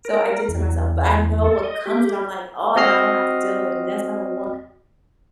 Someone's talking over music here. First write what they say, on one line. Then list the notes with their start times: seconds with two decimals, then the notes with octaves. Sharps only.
so, I did tell myself, but I know what comes when I'm like, "Oh, am I gonna have to deal with mess? I don't want"
0.05 A#4
0.48 E2
1.44 A4
1.63 D#5
1.86 G4
2.76 C4 F#4 D#5 F6 C7